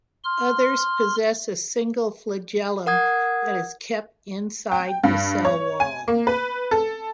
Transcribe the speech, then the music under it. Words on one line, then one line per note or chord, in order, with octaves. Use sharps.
Others possess a single flagellum that is kept inside the cell wall.
C6 F6
A#4 F#5 D#6 G#6
G5
G2
C#5
G#5
A#3
B4
A4